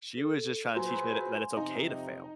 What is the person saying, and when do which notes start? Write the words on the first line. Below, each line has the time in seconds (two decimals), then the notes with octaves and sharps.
She was just trying to teach me that that it's okay to fail
0.17 A4
0.75 A#2 F#3 G#4 B4 C5 G#5 C6
1.57 F2 C3 D#4